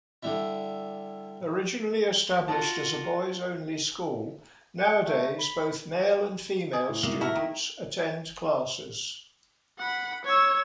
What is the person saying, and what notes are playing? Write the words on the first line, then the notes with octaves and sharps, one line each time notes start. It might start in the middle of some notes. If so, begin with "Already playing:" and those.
Originally established as a boys-only school, nowadays both male and female students attend classes.
D3 G3 E4
F4 F#4 A5
F#5
A3
B5
G#4
A2
C3 G3 G#3 A#3 E4 F#4
E4 F#4 A4 A#4 E5
D#3
F#5 B5
C#5 E6